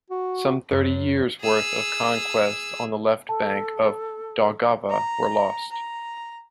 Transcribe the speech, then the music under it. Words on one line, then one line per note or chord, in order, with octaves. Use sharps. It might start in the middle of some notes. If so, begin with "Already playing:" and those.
Some thirty years' worth of conquests on the left bank of Daugava were lost.
F#4
F#2
G#4 E6
A4 A5
A#5
A#5